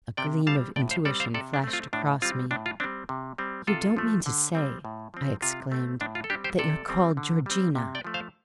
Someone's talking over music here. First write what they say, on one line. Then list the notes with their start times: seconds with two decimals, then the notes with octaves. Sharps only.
A gleam of intuition flashed across me, 'You don't mean to say,' I exclaimed, 'that you're called Georgina?'
0.17 C3 D5 G5
0.47 G3 C4 F5 A5
0.76 A2 D5 G5
0.91 C5 F5
1.05 G3 C4 A4 D5
1.20 C5 F5
1.34 C3 A4 D5
1.54 D4
1.64 A3 C4
1.73 F4
1.93 A2 D4
2.22 G3 C4 F4
2.51 A2 D4
2.66 F4
2.80 G3 C4 D4
3.09 C3
3.38 G3 C4
3.67 C3 F4 A4
3.97 F3 A3
4.26 D3
4.55 G3 C4
4.85 A2
5.14 F3 C4
5.42 C3 F4
5.72 A3 C4
6.01 A2 D4
6.15 F4
6.24 A4
6.30 G3 C4 D4 G4
6.44 G4 C5
6.59 C3 A4 D5
6.88 G3 C4
7.17 D3
7.46 G3 C4
7.76 C3
7.95 D5 G5
8.04 F3 A3
8.14 C5 F5